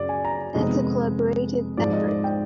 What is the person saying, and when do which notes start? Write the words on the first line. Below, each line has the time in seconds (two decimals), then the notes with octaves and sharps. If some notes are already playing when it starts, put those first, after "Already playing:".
As a collaborative effort.
Already playing: F#2 C#3 F#3 D5
0.09 G#5
0.25 A#5
0.54 F2 C3 D#3 G#3 B3 D#5
1.77 G#2 F3 G#3 D5
1.93 D#5
2.08 D5
2.24 G5